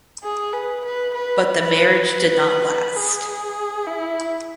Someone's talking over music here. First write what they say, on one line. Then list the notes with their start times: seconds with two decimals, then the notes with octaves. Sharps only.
But the marriage did not last.
0.24 G#4
0.53 B4
0.85 B4
1.14 B4
1.60 B4
2.05 B4
2.96 G#4
3.87 E4